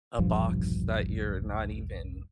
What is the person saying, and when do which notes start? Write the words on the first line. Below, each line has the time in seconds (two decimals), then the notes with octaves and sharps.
a box that you're not even,
0.19 E1 A#1 G2 F3